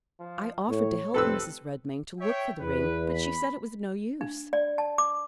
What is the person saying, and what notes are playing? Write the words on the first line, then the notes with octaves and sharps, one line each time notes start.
I offered to help Mrs. Redmain to look for the ring, but she said it was no use.
F3
A2 C#5
F1 C4 A4 B4 E6
C#5 E5 G5
E2 B4
B5
D4
D5
A5
D6